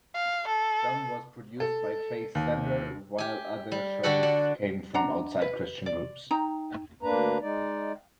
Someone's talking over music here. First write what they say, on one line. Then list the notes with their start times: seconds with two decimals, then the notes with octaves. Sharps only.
Some was produced by Faith Center while other shows came from outside Christian groups.
0.14 F5
0.48 A4
1.60 A4
2.35 D#2
3.18 G4 G#5
3.72 G3
4.03 D3 D4 F#4 G4 A4 F#5
4.23 D5 F#5 A5
4.94 D4 F#5 A#5
5.42 B4
5.86 D5
6.31 D#4 G5 A#5
7.03 D2 A#3 D4 B4 A#5
7.41 G#3 D#4 D5